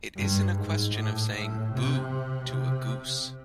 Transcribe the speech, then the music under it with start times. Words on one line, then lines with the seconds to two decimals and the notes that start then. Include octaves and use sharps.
It isn't a question of saying 'boo' to a goose.
0.16 G2
0.55 G#2
0.94 A2
1.33 A2
1.72 C3
2.49 C3